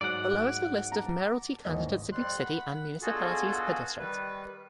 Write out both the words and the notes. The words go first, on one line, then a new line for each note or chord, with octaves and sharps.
Below is the list of mayoralty candidates of each city and municipalities per district.
G#2 F#3 G#3 D5 F#5
A5 A#5
G#1 D#2 E3 D#5
F2 G3 C4 C6 F#6
F#5 B5
B2 D3 F4 F#4 G#4 A4
D#3 G3 B4